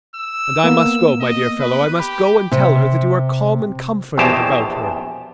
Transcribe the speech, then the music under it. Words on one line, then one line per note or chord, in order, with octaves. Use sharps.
And I must go, my dear fellow, I must go and tell her that you are calm and comforted about her.
E6
A#3 B3
D#5
B4
G4 B5
C3
A#1 E2 B2 G4 C5 A5